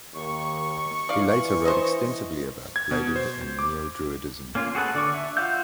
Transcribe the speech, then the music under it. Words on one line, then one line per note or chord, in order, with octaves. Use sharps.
He later wrote extensively about Bladud and Neo-Druidism.
D#2 C#6
E3 D5 F5
C5 D#5
G#6
B2
C5
D6
A#3 C#4 F4
F#4 G#4 A4 B4
D3 D5 C#6
E5
F4 F#4 F5 E6 G6